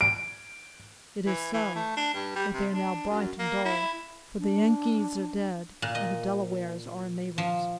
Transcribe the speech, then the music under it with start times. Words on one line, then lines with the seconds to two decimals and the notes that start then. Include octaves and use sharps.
"It is so; but they are now bright and dull; for the Yengeese are dead, and the Delawares are our neighbors."
0.01 D7
1.26 E3
1.53 E3
1.75 A3
1.97 D4
2.14 G2
2.35 G3
2.54 C3
2.72 D4
3.09 F#2
3.39 A#3
3.65 E4
4.39 D4
5.82 A#2
5.95 D#5
7.38 F3